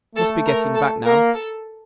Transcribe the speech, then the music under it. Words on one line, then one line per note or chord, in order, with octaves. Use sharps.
Must be getting back now.
A3 A4
A#4
A4
A#3 A#4
A4